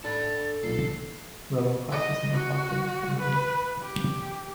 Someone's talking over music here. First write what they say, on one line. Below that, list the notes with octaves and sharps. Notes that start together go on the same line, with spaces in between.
Rollo Park is named after the family.
D4 A4 B5 A6
B1 A#2 A4 C7
D#5
F#4
B4
G4